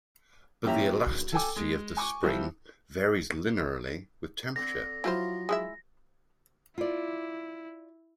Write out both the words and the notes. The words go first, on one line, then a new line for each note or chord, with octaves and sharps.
But the elasticity of the spring varies linearly with temperature.
A#2 E3 C#4 G4 E5 A#5
F#3
A4 G5 G#5 D6
G#3
G#5 C#6 D6
E3 F3 G3
D3 C4 A#6
F3 F#3 E4 F4 C5
G#3 E4 E5
E4 F4 D5